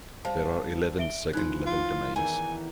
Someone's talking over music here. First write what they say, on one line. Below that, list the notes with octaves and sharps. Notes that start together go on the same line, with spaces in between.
There are eleven second-level domains.
G3 C5 F5 A5
E5 D7 G7
E3 F3 D#4 F#6
F4
E2 D#3 E3 G#5